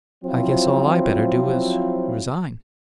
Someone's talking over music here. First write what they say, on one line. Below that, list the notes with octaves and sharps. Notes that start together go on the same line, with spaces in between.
"I guess all I better do is--resign!"
F3 F#3 C4 E4 F4